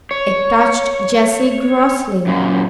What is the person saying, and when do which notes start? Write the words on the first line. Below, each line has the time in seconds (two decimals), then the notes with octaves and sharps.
It touched Jessie grossly.
0.11 C#5
2.27 F#2 A#2